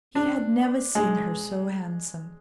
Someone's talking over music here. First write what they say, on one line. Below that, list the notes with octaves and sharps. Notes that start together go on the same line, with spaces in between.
He had never seen her so handsome.
D4
G#3